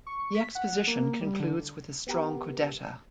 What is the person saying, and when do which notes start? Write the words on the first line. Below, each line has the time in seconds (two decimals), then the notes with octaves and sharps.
The exposition concludes with a strong codetta.
0.07 C#6
0.35 B6
0.55 F#5
0.87 A#3
1.21 G3
1.40 D3
2.07 B3 G4 A#4